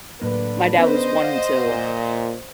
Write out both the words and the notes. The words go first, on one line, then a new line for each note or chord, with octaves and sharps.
my dad was one to
A2 D3 F#3 A#3 D4 B4
B3 C#4 C5 D#5
D5 F5 F#5
A#2